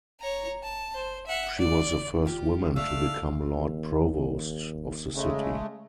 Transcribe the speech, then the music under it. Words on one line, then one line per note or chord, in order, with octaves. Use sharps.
She was the first woman to become Lord Provost of the city.
C#5 A#5
A5
C5
E5 F#5
D5
F4 G4
A3 D4 F5 E6
D#2
C#3 G#3 A3